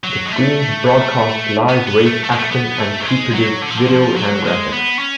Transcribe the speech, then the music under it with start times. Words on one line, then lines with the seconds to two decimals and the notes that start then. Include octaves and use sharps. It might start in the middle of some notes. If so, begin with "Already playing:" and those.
The screens broadcast live race action and pre-produced video and graphics.
0.04 F#3
0.26 G#3
0.32 A3
1.69 B3
1.87 B3
2.06 A3
2.24 A3
2.31 G#3
2.39 A3
2.52 B3
2.79 A3
3.00 F#3
3.07 G#3
3.34 F#3
3.62 D3
3.70 F3
3.78 D3
3.90 F3
4.17 F#3
4.45 G#3
4.72 B3
4.99 C#4